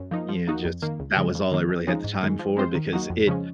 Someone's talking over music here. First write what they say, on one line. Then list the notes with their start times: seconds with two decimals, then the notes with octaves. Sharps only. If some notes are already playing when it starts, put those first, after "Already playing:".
Yeah. Just that was all I really had the time for because it
Already playing: F#2
0.11 F3 A#3 D#4
0.29 F3
0.47 A#3 D#4 F#4
0.65 F2
0.82 D#3 A#3
1.00 C#2
1.17 C#3 F3 G#3
1.35 F2
1.52 D#3 A#3
1.69 F2
1.87 C#3 F3 G#3 D#4
2.04 G#2
2.23 D#3 G#3
2.39 F3
2.57 G#3 C4 F4 C5
2.75 D#3
2.93 F#3 A#3 D#4 F#4
3.10 F2
3.27 C#3 F3 G#3 C#4